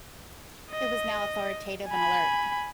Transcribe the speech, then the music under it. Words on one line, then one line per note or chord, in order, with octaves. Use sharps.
It was now authoritative and alert..
D#5
G#5 B5